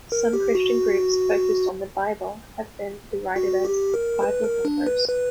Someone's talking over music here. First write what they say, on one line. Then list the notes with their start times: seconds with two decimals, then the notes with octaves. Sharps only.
Some Christian groups focused on the Bible have been derided as "Bible thumpers".
0.12 A#4
0.33 G4
0.55 F#4
3.36 F#4
3.65 G4
3.94 A#4
4.23 B4
4.44 A#4
4.65 D4
4.86 B4
5.09 B4